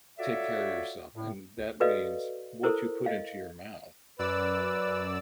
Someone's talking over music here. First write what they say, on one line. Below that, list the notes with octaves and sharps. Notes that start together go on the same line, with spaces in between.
take care of yourself, and that means what you put into your mouth,
F4 F#4 A4 C#5 D5 E5
A2
F#4 A4 B4 D5 D#5 F5
E4 A4 A#4 C5
D#5 F5
F#2 B4 D5 E6